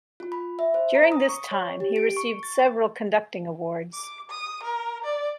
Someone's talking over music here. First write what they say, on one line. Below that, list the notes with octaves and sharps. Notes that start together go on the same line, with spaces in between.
During this time, he received several conducting awards.
F4
B5
E5
C5
A#5
D#6
C#6
C#5
G4
D7
C#6
A6
D6
D#6
A#4
D5